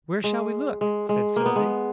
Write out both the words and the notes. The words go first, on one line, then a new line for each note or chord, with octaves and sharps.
"Where shall we look?" said Sylvie.
G#3
G#3
G#3
A#3
B3
G#3